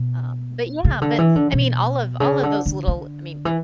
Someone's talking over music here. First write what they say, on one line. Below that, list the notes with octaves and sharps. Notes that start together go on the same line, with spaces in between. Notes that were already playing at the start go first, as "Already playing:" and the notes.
Um, but yeah but, I mean, all of all of those little I mean,
Already playing: B2
C#3
D3
E3
D3
B2
C#3
D3
D3
D3
E3